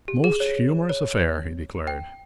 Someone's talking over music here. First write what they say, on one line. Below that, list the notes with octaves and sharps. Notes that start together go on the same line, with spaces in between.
"Most humorous affair!" he declared.
G4
G#4
C#5
C#5
G5